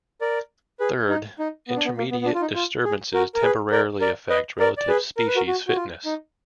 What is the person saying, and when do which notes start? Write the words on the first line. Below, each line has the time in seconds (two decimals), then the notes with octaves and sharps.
Third, intermediate disturbances temporarily affect relative species fitness.
0.21 A#4 D5
0.80 G#4 B4
1.09 D#4
1.39 D#4
1.68 B3
1.76 D4
1.85 B3
1.97 A#3
2.11 B3
2.21 B3
2.25 D4
2.34 F4
2.41 D#4
2.55 F4
2.85 G#4
3.14 F#4 A#4
3.35 A#4
3.43 G#4 B4
3.72 A#4 D5
4.01 A#4 D5
4.30 B4 D#5
4.59 A#4 D5
4.78 D5
4.88 G#4 B4
5.17 A#4
5.27 B4
5.36 F#4 A#4
5.47 F#4
5.68 F#4
5.76 F4
6.05 D#4